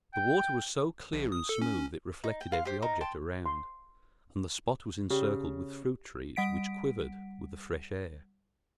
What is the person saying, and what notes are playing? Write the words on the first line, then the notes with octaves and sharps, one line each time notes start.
The water was so clear and smooth it reflected every object around, and the spot was encircled with fruit-trees which quivered with the fresh air.
G5
A#1
D#6
A4
C#4
D#4
G5
F5 C6
G4 C5
D#4 A#4 A#5
G5 A5 C6
C6
C#3 G4
G3 F#5 B6 D7